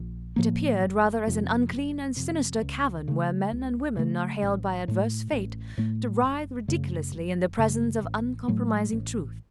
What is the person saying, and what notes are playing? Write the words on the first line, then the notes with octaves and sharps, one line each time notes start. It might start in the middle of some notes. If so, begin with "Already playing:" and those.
It appeared rather as an unclean and sinister cavern where men and women are haled by adverse fate to writhe ridiculously in the presence of uncompromising truth.
Already playing: A#1
A2 F3 A#3
F#1
F2 C3
F#1
F2 C3
C#2
C#3 A3
C#2
C#3 A3
A1
A2 A3
A1
A2 A3
F#1
F#2 C#3 A3
F#1
F#2 C#3 A3
A1
A2 F#3 A3
A1